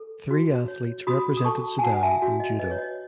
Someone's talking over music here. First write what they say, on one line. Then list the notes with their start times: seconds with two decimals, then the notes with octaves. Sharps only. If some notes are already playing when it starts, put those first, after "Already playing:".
Three athletes represented Sudan in judo.
Already playing: A4
0.31 F#4
0.68 C#5
1.07 F#4 B5 D#6
1.37 D#6
1.44 A4 A5 C#6
1.79 G#5
1.83 F#4 F#5 A5
2.03 E5 G#5
2.22 F#4
2.40 D#5
2.59 B4 D#5
2.71 C#5
2.78 D#5